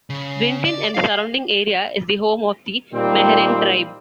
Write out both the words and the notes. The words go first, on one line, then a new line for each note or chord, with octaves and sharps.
Winton and the surrounding area is the home of the Meherrin Tribe.
C#3
D5
F5
A#2 D#3 G3 C4